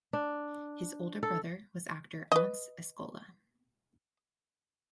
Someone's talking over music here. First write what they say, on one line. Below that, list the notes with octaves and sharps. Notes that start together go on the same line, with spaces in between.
His older brother was actor Ants Eskola.
D4
A4
B4 D#5